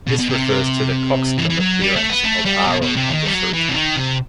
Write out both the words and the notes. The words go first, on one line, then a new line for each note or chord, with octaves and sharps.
This refers to the cockscomb appearance of aril on the fruit.
B2
B2
C3
E3
E3
F#3
G3
A3
B3
A3
G3
B2
B2
C3
D#3
G3
F#3
E3
C3
D#3
C3